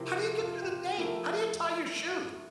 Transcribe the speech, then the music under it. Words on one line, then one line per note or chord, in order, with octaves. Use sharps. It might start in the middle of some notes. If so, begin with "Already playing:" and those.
“How do you get through the day? How do you tie your shoes?”
Already playing: C3 F3 C4 E4 G4 A#4
F4
G4
F4
F3 A3 E4 A#4